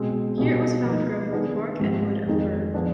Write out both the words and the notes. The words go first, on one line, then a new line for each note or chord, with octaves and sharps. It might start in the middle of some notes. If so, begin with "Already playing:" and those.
Here it was found growing on the bark and wood of fir.
Already playing: B2 G#3 C4
B2 G3 C4 F4 G#4
F3 B3 D#4
D#3 B3 D4 G#4
G#2 F3 C4 G4
F2 D#3 G#3 C4 D#4
F3 B3 D4 G#4